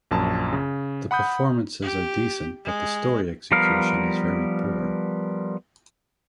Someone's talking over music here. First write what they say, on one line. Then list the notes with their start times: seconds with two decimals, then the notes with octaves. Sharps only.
The performances are decent but the story execution is very poor.
0.11 A#1 F#2 A5
0.52 C#3
1.11 F#5 B5 D#6 G6
1.82 G4
2.65 G#3
3.52 F3 G3 B3 A#4 F5